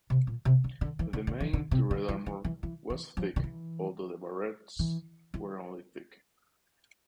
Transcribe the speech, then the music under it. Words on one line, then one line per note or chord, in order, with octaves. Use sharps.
The main turret armor was thick although the barbettes were only thick.
C3
A#2
C3
D3
D3
E3
D3
D3
E3
D3
C3
D3
E3
E3
E3
E3
E3
F3
D3
E3
E3
E3